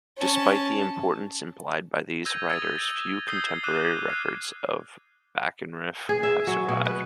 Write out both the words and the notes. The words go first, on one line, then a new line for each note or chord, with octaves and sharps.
Despite the importance implied by these writers, few contemporary records of Bakenranef have survived.
C#4 A5
E6 G6 G#6 A#6 D#7 F7
D#6 E6 G#6 A6 F7
D#6 E6 G6 G#6 C7 G7
D6 E6 F#6 D#7 E7
D6 F6 F#6 G#6 C7
G#4
E5
F#3
B2
B4